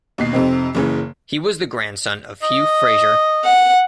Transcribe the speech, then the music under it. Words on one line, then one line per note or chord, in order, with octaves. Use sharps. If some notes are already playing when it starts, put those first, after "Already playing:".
He was the grandson of Hugh Fraser.
D#2 B2 C7
F2 C3 C4 D#4
F#1 C#3 E3
D#5
F#5